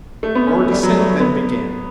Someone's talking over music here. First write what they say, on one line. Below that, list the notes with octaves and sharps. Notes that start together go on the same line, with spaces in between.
Our descent then began.
A3
B3
C#4
A3
G3
F#3
A3
B3